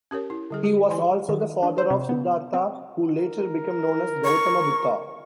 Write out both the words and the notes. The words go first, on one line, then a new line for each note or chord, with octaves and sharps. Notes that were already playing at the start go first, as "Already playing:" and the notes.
He was also the father of Siddhartha, who later became known as Gautama Buddha.
C#4 G4 A#4 C#5
E4
D3 G3 G#4
G4
E3 E4 D5 G#5 C6
D#3
D4
C5
C3
B3
C4
A#4
C#6